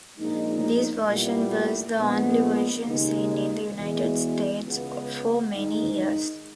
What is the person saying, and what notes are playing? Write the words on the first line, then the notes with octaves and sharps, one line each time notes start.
This version was the only version seen in the United States for many years.
A#1 A#2 G#3 D#4
A#2 G3 B3 E4
A#1 A#2 G#3 B3
D#2 C#3 G#3 D#4
E2 B2 G#3
C#2 C#3 G#3 B3
G#2 D#3 G#3 D#4